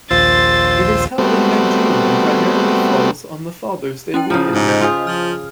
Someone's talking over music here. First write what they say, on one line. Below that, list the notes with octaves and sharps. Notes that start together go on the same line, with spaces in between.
It is held in mid-June and primarily falls on the Father's Day weekend.
A#1 D#2 F4 C5 E6 A6
G3 A3 B3 C4 F#4
C#4 E4 G5
C#3 F3 E4 A#5
G#2 G4
C5 D#5 G6
F4 G#4
F3 F6